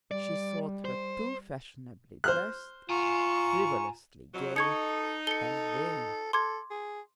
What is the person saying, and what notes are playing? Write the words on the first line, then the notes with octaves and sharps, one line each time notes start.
She thought her too fashionably dressed, frivolously gay and vain.
G3 D5
C5
C5 F6 F#6
F4 G#5 A#5 C#6
F2 F#3
D#4 A4 C#6 G#6 C#7
A4 C#7 G7
A4 C6 D6 G#6
G#4